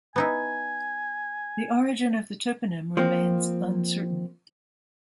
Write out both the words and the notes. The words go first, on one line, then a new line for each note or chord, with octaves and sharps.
The origin of the toponym remains uncertain.
B3 D#4 E4 G#5
F3 A#3 C4